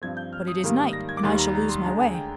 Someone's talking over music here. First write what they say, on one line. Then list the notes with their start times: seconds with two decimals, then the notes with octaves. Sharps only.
"But it is night, and I shall lose my way."
0.02 G2 F3 C4 G#6
0.17 G6
0.33 F6
0.48 D#6
0.64 G#2 D#3 G3 A#3
0.93 A#6
1.09 G#6
1.17 D6
1.23 D#2 D#3 G3 C6
1.38 A#5
1.55 A#5
1.69 C6
1.84 D2 D3 G#3 A#5
2.00 G#5
2.14 G5